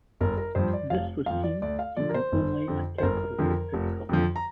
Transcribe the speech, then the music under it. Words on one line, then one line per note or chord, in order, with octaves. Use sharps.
This was seen to be only a temporary outcome.
G1 A#4
A#4
G2 F3 C5
D5
F1 F5
F2 F3 F5
D5
D2 D5
F5
D3 F3 D5
A#4
C5
G1
F2 D3
C5
G1 A#4
F2 D3 F3
F1
F2 D3 F3
A#5